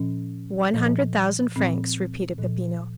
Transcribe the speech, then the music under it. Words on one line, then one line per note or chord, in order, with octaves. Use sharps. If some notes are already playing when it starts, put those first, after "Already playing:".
"One hundred thousand francs," repeated Peppino.
Already playing: A#2 F3 C#4
A#2 F3
A#2 F3 C4
A#2 F3